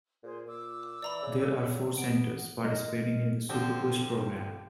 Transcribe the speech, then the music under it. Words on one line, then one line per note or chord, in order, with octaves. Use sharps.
There are four centers participating in the SuperQuest program.
A#2 G#4 C5
A#2 D6 E6
E3 D5 A#5 B5
C#3
B3 D7
G#3 A#3 A#4 D#5
D3 F3 C4 G4